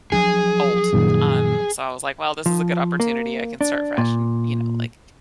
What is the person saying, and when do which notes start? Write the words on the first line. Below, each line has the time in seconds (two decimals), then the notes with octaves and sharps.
old, um, so I was, like, "Well, this is a good opportunity, I can start fresh," and, you know, like
0.12 F3 F#3 D4 G#4
0.93 F#2 A#2 D#3
2.46 F3
3.00 A#3
3.61 D4
3.98 A#2